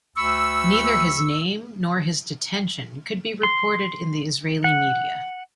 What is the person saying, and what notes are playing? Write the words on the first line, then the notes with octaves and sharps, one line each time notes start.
Neither his name nor his detention could be reported in the Israeli media.
D2 B5 C#6 E6
C6
F#5